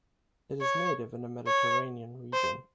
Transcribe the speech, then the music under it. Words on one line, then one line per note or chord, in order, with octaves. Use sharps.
It is native in the Mediterranean region.
C#5
C#5
C5